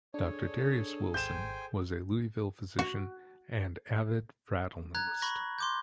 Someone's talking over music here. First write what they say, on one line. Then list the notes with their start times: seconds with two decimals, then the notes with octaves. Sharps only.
Doctor Darius Wilson was a Louisville physician and avid fratalnalist.
0.14 D4 G#4 A4 C#5
1.14 G#1 C5 G5 G#5 G6 E7
2.79 F#4
4.95 A#5 F#6 G#6
5.22 B5 C#6 A#6
5.59 C6 D6 G6